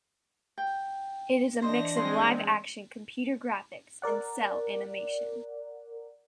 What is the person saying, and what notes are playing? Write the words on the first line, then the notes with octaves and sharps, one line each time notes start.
It is a mix of live-action, computer graphics, and cel animation.
G5
E3 D4 C5 D#5 A#6
G#3 C4 C6
A#4 D5 F#5